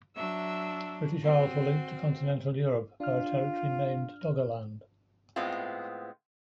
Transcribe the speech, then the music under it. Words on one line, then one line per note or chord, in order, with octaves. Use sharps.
British Isles were linked to continental Europe by a territory named Doggerland.
F#3 D4 E5 E6
C4 F#4
D4 F4 F6
A2 G#3 B3 C4 F4